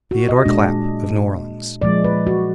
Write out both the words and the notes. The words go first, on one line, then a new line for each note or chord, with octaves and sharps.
Theodore Clapp, of New Orleans.
F#4
D#5
A#2 G#3 D4
A#2 F3 G#3 D5
B4
F#4